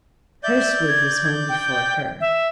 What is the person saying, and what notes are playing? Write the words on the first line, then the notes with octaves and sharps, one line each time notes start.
Hurstwood was home before her.
D5 E5 G6
G#6
G5
E5